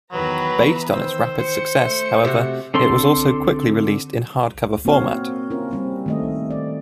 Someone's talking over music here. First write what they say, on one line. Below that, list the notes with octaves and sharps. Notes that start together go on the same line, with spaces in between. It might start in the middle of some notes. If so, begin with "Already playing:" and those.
Based on its rapid success, however, it was also quickly released in hard-cover format.
E2 D#3 F#3 B4 A#5
E3 B3
D#3 C5 E6
C5 C#7
A3
C3 F#4
D3 C4 A4 C6
A#3 C4 F#4 C#5 F5
C#4 E4 F4 A#4
G3 C4 C#4
D#3 A3 D#5
D5